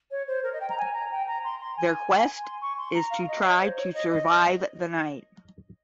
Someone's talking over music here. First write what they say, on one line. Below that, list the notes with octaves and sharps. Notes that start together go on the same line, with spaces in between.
Their quest is to try to survive the night.
C#5
C5
A#4
D#5
G5
A#5
G#5
A#5
G5
A#5
C6
C6
G#5
C6
C#6
C6
A#5
F5
D#5
C#5
C5
C#5
D#5
D#5